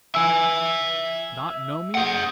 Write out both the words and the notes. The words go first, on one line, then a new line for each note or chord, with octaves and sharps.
Not know me!
E5 G#5 E6
G#4 F#5